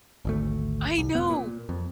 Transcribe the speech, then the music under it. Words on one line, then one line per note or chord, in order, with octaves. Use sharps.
I know.
G#1 D2 A3
C2
F1 B3
A#2
F2